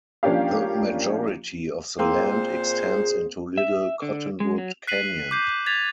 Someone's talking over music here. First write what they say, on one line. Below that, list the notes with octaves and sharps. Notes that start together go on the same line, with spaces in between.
The majority of the land extends into Little Cottonwood Canyon.
F3 A#3 C#4 D4 G4 F5
A#2 A#3 C4 G#4 C5
E5
D3
G#3
F#3
F#6 B6 C7 D#7 F#7
D6 G6 C7
G#6 A6 B6 F7